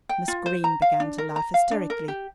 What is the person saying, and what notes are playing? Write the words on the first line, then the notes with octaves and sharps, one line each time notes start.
Miss Greene began to laugh hysterically.
G5
F4
C5
A#5
F5
D4
A#4
A#5
F5
D4
A#4
G4